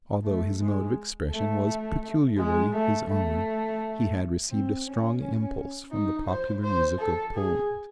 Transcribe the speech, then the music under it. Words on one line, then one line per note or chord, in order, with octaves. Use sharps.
Although his mode of expression was peculiarly his own, he had received a strong impulse from the popular music of Poland.
A3
G#3
A3
G#3
A3
A3
C4
C#4
D#4
C5
C5
A4
G#4